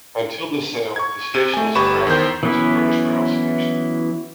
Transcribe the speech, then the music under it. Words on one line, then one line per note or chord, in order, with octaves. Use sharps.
Until the sale, the station was branded as a British Rail station.
C#6 G#6
C3 D#7
A3 G#5
G1 G4 B4 B5 C#6 E7
E2 D#3 C5 G6
E3 F#3 B3 C#4 E4